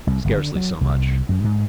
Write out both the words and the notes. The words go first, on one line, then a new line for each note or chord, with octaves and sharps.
"Scarcely so much."
C2
G1
D3
F#3
C2
F#2
G#2